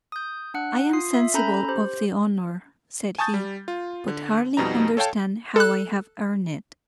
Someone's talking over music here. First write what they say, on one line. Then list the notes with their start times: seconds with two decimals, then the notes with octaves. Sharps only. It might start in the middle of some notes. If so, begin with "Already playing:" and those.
"I am sensible of the honour," said he, "but hardly understand how I have earned it."
0.12 D#6 G6
0.54 D4 F#5 F#6
0.93 F4 D#6 C7
1.14 E5
1.34 C#4 A4 A#5 B5 G6 A#6
1.68 G4 C5
3.18 G#5 A5 C#6 D#6 G6 A6
3.34 G3
3.68 F4
4.08 D3
4.57 F2 B2 G3 D#4 A#5
4.97 A4 C#5 F5 G5 A5
5.56 A4 F#6